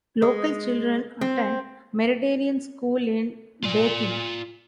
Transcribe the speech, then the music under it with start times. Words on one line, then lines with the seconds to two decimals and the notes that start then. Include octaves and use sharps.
Local children attend Meridian School in Daykin.
0.22 G#3
1.21 C4
3.64 F4 D5